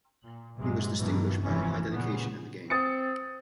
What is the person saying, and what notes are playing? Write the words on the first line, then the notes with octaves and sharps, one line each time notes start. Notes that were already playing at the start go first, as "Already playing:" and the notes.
He was distinguished by high dedication in the game.
A#2
A#1 G2 C3 F#3 G#3
G2 B2 D#3 E3 F#3
F1 F2 E3 C#4
A#2 C#3 B3
C4 D#6 A6 C#7